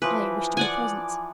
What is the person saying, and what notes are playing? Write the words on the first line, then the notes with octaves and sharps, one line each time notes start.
"I wish to be present."
E3 F3 B4
D5 F#5 G#5